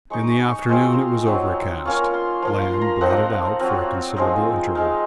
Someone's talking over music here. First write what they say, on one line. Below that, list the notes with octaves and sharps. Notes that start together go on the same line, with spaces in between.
In the afternoon it was overcast; land blotted out for a considerable interval.
G#3 D#4 C#6
C#6
C#6
G#3 C4 F4 C6
A#5
C6
F#3 C4 D#4
A#3 C#4 F4 C#6
C6
F3 A#3 F4 C6
C6
A#5
F3 C4 D#4 F#5
F#3 C4 F4
F3 G#3 C4 D#4
G#3 D#4 F5